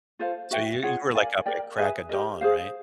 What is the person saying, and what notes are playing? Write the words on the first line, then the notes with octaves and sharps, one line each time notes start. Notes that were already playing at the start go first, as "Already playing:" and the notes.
So, you you were like up at the crack of dawn, right?
F4 A4 C5 F5
F#4 B4 E5 G5
F4 G#4 C#5 F#5
A#4 D5 F5 G#5
A#4 D5 G5
G#4 B4 E5 G#5
G4 A#4 D#5
G#4 C5 F5